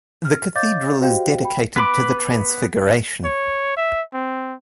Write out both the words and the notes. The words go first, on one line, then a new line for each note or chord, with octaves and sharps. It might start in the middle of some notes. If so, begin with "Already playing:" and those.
The cathedral is dedicated to the Transfiguration.
F6
C#5 D#5 F5 D6 G6 A6
F#4 G4 C5 D#5 F5 G5
G5 B5
B3 B4 B5 D6
C#5
E5
C4